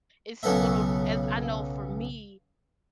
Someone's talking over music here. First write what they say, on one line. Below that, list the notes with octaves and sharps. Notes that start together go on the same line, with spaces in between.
it's a little as I know for me,
B1 C#3 F#3 B3 A4 E5